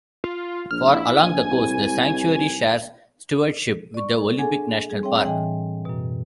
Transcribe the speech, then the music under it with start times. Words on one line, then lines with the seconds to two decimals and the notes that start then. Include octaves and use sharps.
For along the coast, the sanctuary shares stewardship with the Olympic National Park.
0.24 F4
0.71 A#1 F6
0.94 E4
1.20 A#1 G#5
1.51 C2
3.94 D5 C#6
4.39 D4 G#4 A4 F#5 G#5
4.90 G3 G#4
5.03 C4 G#4 C#5 E5 G5
5.25 A2 E3 D#5 G5 G#5
5.85 F#2 B2